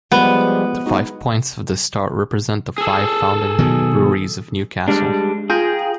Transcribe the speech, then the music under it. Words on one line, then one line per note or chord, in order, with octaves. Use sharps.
The five points of the star represent the five founding breweries of Newcastle.
F3 G3 G#3 B3
G#3 D#4 F#4
G#4 A4
B2 D#3 F#3
G3 G#3 D4
F4 G#4 G5 A#5